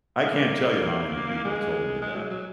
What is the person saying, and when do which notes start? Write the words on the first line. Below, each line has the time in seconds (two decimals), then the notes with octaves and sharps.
I can't tell you how many people told me that.
0.24 G#3
0.31 A#3
1.44 G#3
2.02 G#3
2.16 F#3
2.30 F#3